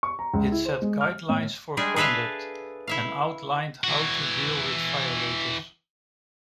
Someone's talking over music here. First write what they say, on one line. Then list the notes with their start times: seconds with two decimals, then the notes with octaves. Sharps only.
It set guidelines for conduct and outlined how to deal with violators.
0.03 C#6
0.19 A#5
0.33 C#2
0.52 E4
0.65 C5
0.82 G#3
1.01 F6
1.29 A2
1.77 G3 G#3 D4 G#4
1.96 G#4 A4 B4 E5 F5
2.87 E4 E5 F5
3.84 E3 F#4